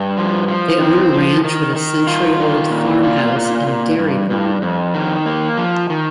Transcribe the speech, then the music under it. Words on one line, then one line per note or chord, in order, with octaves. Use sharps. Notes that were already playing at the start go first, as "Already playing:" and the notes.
They own a ranch with a century old farm house and dairy barn.
Already playing: G2
F3
F3
C4
F3
D#3
D#3
F4
D#3
A#2
F4
A#2
A#2
G2
G2
F2
D#3
A#3
F3
D#3